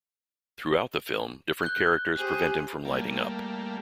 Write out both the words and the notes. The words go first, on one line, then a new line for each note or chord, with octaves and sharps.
Throughout the film, different characters prevent him from lighting up.
F#6 G6 G7
G4 G#4 C5
G3 A3 A#3